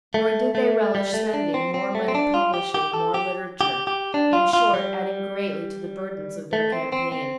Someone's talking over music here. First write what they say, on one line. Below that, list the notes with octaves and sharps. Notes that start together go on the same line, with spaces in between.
Nor did they relish spending more money publishing more literature, in short, adding greatly to the burdens of their campaign.
A3
A3
G3
A3
D4
C4
C4
A3
C4
D4
F4
G4
G4
A4
G4
G4
G4
D4
F4
F4
G3
A3
C4
C4
C4